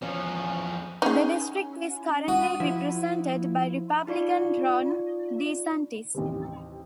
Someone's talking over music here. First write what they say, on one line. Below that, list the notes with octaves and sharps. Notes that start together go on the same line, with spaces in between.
The district is currently represented by Republican Ron DeSantis.
E2 F3 C#4
C#4 D#4 G#4
F#4 D#6
F3 E4
D#4 F4 D5 C#6
A1 D#2 C3